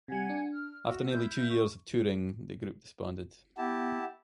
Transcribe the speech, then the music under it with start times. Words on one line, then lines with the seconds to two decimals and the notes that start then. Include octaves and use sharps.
After nearly two years of touring, the group disbanded.
0.08 C3 G3 F#5 G#5 G#6
0.29 D4
0.53 F6
0.86 F#4 E5 E6 F6
1.10 E4 G6
1.50 C#6
3.58 B3 E4 G4 A5